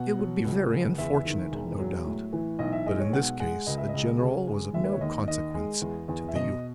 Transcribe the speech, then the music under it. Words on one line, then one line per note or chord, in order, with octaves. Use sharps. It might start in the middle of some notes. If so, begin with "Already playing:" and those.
It would be very unfortunate, no doubt, but in this case a general was of no consequence to the youth.
Already playing: B2 F#5
F#3
C#2
C#2
E2 E5
D#3
E1
F#3
A2
E3
B1 D#5
E5
G#3 D#5
C#5
B2 F#5
G#3 F#5
C#2 D#5
E5
C#2 D#5
C#3
G#3
D#2 E5
B4
C#5
D#2 D#5
D#3 D#5
G#3
E2
E2
E5
B2 D#5